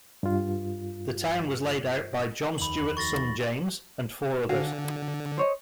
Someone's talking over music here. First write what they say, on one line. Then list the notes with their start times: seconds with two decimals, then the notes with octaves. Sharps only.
The town was laid out by John Stewart's son James, and four others.
0.23 G2 F4
2.58 F1 D#2 D#4 B5 F#7
2.97 F#4 C6 C#6 A6 A#6
4.49 D3 F#4 F5 G#5
5.37 C5 C#5 D#5